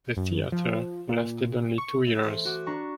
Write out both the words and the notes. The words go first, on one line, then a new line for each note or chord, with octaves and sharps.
The theatre lasted only two years.
F#2
F3
A#2
C#6
E4
E3 A3 C5
F#4 D6
D4 A#5 C#6